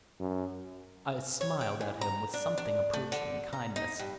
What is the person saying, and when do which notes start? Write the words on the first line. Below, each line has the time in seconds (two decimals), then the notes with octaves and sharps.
I smiled at him with something approaching kindness.
0.20 F#2
1.41 C#5
1.61 G5
1.81 E3
2.01 A#5
2.34 D4
2.58 D4
2.93 A3
3.12 D3
3.53 A#5
3.76 D#4
3.99 G2